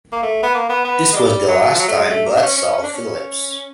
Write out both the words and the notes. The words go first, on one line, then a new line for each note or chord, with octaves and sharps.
This was the last time Bride saw Phillips.
A#3
A3
B3
A#3
B3
B3
G#3
G3
F#3
F3
F#3
A3
G#3
A3
A#3
D4
C#4
C#4
C#4
D4
C#4